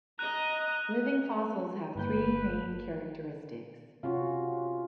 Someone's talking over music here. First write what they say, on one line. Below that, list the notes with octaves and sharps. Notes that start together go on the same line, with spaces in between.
Living fossils have three main characteristics.
D#5 A#5 F#6 D#7
G1 A#3 B4 G6
C3 C#4 F4 F#4